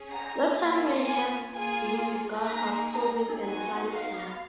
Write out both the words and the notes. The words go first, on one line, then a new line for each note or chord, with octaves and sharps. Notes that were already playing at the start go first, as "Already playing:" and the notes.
Saturn may have been the god of sowing and planting.
Already playing: C#4 G#4
A#5
A#3 C#4 F4
G#5
A#3 F4 G#4 G#5
A#3 D#4 G#4 A#5
A#5
B3 D#4 F#4 G#5
F5